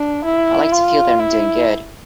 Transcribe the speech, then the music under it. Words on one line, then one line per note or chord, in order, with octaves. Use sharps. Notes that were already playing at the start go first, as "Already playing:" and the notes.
I like to feel that I am doing good.
Already playing: D4
E4
F4
E4